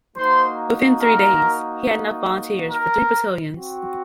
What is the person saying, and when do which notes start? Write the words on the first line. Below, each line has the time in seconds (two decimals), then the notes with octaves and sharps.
Within three days, he had enough volunteers for three battalions.
0.15 A#3 D#4 F#4 C5 C6
1.00 A#4 A#5
2.69 A#4 A#5
3.53 C4 F#4